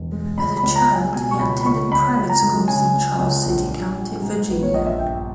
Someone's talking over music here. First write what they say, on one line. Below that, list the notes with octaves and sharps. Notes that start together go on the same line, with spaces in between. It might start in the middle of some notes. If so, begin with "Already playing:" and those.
As a child, he attended private schools in Charles City County, Virginia.
Already playing: E1
G#3
C#2 B5
B5
C#2
A#5
G#3
G#5
B2 G#5
C#6
C#2 B5
B5
C#2 C#6
C#2 B5
C#2
A#5
G#3
C#3 G#5
C#2
C#2
A#1
A#1
G3
G#2
A#1 B4
C#5
A#1 D#5
E5
G1 G5